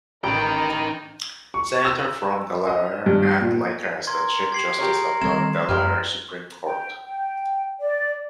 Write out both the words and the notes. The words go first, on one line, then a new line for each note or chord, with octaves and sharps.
Senator from Delaware, and later as the Chief Justice of the Delaware Supreme Court.
A1 D#4 A#4 G5 A#5 B5
C#6
E6
D#5
G2
A#2
A#4 C6 G#6
G4 G#6 C7 F#7
G4 G#4 A#4 C#5
D#3 G3 A3 C4 G#6 E7
F#2 G#3 G4 A#4 B4 F6
G5
G5
D5